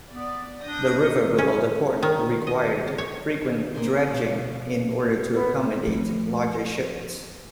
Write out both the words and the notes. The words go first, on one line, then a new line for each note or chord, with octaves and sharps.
The river below the port required frequent dredging in order to accommodate larger ships.
B3 D5
D4 D#6 G6 A#6
C#4
D#3
D#5
C#5
A#3 G#4 C5
B2 F3
A2 B3
F3 A3